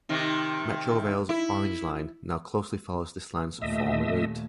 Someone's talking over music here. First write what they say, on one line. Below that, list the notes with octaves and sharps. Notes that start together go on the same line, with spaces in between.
Metrorail's Orange Line now closely follows this line's former route.
C3 D#3
E4
D#2 A#2 A3 D#5 E5